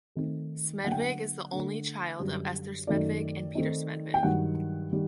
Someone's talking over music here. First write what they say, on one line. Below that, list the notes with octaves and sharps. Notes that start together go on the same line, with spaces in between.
Smedvig is the only child of Esther Smedvig and Peter Smedvig.
D#3 A3 C4 D#4
D3 F#3 A#3 D4 F#5
G5
F#5
D3 A3 D4
F#2 D3 G3
F#2 D#3 A3 D#4 D5
D#3 A3 C4 D#4
G5
G2 D#3 F#3 F#5
D#3 G3